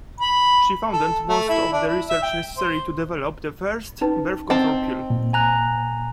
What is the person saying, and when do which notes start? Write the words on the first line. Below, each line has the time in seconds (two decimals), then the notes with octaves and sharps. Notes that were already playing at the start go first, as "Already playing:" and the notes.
She funded most of the research necessary to develop the first birth control pill.
0.20 B5
0.93 A4
1.29 A3
1.49 E4
1.72 D4
1.87 E4
2.09 E5
2.23 G5
2.57 C5
4.01 C#4 D#4 B4
4.50 C4 D#5 G5 A5
5.10 A#2
5.33 G#5 A#5 F#6